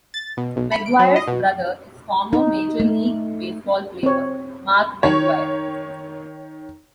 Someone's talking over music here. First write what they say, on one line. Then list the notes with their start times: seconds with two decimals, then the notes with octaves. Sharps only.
McGwire's brother is former Major League Baseball player Mark McGwire.
0.14 A6
0.37 B2
0.56 B1
0.72 B5
0.86 D7
0.99 F#3
1.16 D#5
1.28 B2
2.33 D#4
2.80 A3
4.03 C4 C#5
5.03 D#3 C#5